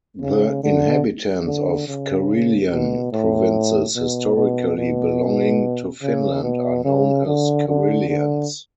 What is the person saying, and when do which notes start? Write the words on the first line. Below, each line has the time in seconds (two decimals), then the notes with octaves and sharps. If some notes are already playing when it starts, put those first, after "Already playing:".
The inhabitants of Karelian provinces historically belonging to Finland are known as Karelians.
0.22 C#3
0.63 D3
1.46 D3
1.88 C#3
2.71 B2
3.12 A2
3.95 B2
4.37 B2
4.78 B2
6.02 C#3
6.43 B2
6.85 C#3
7.26 D3
7.68 D3
8.09 D3